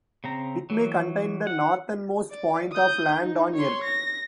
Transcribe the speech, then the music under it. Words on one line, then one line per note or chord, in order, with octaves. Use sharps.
It may contain the northernmost point of land on Earth.
C#3 C4 A#5
E3 F#3
F#5
D5
D#6 G6
D#4
C#5 C6
A#6